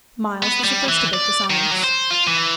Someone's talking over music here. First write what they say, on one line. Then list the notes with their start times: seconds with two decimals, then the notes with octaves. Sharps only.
Myles was the first to break the silence.
0.43 B3
0.64 G3
0.89 E3
1.14 D5
1.50 D#3
1.72 F#3
1.84 C5
2.11 F4
2.27 E3